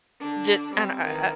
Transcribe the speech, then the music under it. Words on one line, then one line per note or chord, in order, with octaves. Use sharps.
Just and I
D3 D4
G3 C4
D#3 E3